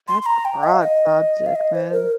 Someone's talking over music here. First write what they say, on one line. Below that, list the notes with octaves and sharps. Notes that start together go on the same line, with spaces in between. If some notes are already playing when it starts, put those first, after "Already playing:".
That's a broad subject, man.
C6
C6
A#5
G5
D#5
F5
D#5
F5
D#5
C5
A#4